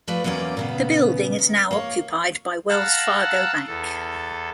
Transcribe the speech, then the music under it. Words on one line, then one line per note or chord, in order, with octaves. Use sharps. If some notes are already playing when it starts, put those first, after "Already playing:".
The building is now occupied by Wells Fargo Bank.
F3 A3 B4 D5
E2 F#3 A#3 C#4 D5
A#2 C#3 B3
D#3
A#3 C#5
F5 F#5 A5 A#5 E6 F#6
E2 A4